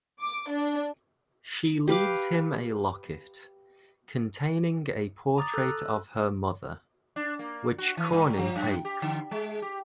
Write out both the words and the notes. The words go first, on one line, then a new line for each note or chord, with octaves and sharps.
She leaves him a locket, containing a portrait of her mother, which Corney takes.
D6
D4
G4 B4 F5 D6
A#5 D6 D#6 A6
A4 F#6
D4
A#3
F#4
E3
G2
F3
F#2
G4
D3
G#3
G4